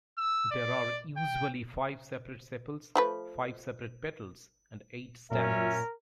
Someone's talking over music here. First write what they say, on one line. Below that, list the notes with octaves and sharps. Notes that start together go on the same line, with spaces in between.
There are usually five separate sepals, five separate petals and eight stamens.
E6
D5
G5
F3 A3 B4
F#2 A#2 C#4 A#4 E5